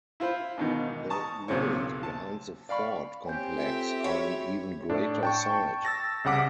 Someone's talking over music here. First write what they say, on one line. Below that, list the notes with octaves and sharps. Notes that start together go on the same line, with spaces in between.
The ruins behind the fort complex are an even greater sight.
E4 F4 C5 B5
G#2 B2 D#3 E3
A5 A#5 C#6 D#6
B1 A#2 C#3 C4 C#5
A5
D5 F5 B5 C#6
C4 G4 C#5 G#5 G6
F4 A4 E5
F#4 G#4 C#5 B5
A2 D4
G5 A5 C#6
E6 A6 A#6
C2 C#3 F#5 D6 B6